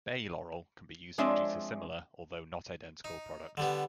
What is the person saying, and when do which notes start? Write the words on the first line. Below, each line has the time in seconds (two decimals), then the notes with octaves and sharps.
Bay laurel can be used to produce a similar, although not identical, product.
1.18 F3 G#3 C4 D4 C#5 E5
3.04 D#4
3.57 D3 G3 B3